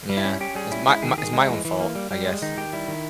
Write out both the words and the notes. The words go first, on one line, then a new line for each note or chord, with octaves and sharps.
Yeah, it's my my it's my own fault, I guess.
G3
E4
C#4
C#4 G4
G3 G#4
C#4 E4
G#3 E4
D#3 G#4
G4
D#3 G#4
G#3
E3
E3
A#3
G3
G3
G#3
D#3 D#4
D#3 G4
G3 E4
D#3